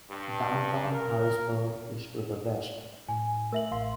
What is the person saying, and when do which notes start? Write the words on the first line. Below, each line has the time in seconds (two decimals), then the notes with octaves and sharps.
Downtown Harrisburg is to the west.
0.10 G2
0.92 A#4
3.09 A2 G#5
3.52 A3 A#4 E5 F#7
3.71 A1 A2 F5 C6